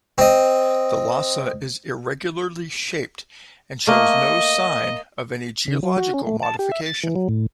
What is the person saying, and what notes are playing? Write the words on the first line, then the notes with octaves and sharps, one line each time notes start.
Thalassa is irregularly shaped and shows no sign of any geological modification.
C4 D#5
A3 A#3 D#5
C#3
F#3
F#4
C#4
A3
A5
G4
E5
A6
E3
F#3
A2